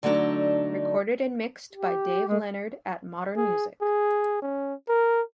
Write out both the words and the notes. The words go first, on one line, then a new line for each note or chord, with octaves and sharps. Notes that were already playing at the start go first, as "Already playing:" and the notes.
Recorded and Mixed by Dave Leonard at Modern Music.
D3 F#3 A3 D4 D#4
G4
G#3
G#4
G#4
C#4
A#4